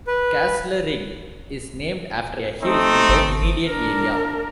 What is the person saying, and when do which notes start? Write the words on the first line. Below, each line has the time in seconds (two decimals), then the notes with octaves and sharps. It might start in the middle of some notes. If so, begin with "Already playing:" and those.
Castlerigg is named after a hill in the immediate area.
0.07 B4
2.63 A3 C4 D#4
3.09 G1
3.69 D4 A#4